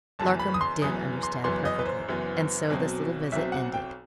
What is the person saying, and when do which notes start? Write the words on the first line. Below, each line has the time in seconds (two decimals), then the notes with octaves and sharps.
Larcom did understand perfectly, and so this little visit ended.
0.19 F#1 F#2 E3 B3 A5
0.40 B5
0.54 D#6
0.61 C6
0.81 F#1 F#2 E3 B3 D#6
1.23 C6
1.44 F#1 F#2 E3 B3 C6
1.65 D#5
1.79 B4
1.85 C5
2.07 F#1 F#2 E3 B3
2.70 B1 B2 F#3 C4
3.32 B1 B2 F#3 C4 E5
3.52 F#5
3.74 G5